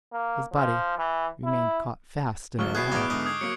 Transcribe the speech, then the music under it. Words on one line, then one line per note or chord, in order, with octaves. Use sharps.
His body remained caught fast in the wax.
A#3
F3
E3
E4
A1 D2 F#3 C#6 F6 G7
B2 F#3 B3 E4 G#4 F#6 G6 C7
B1 E2 F#4 G#5 D6 D#6 D7
G#2 D3 D#5
D#6 G#6 C7
F#3 A#3 C#6 C#7